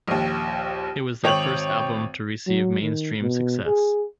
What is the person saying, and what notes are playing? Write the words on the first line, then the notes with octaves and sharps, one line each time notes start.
It was their first album to receive mainstream success.
A#1 D#2
G#1 C#5 G5 F7 F#7
F#3
D#3
B2
G#4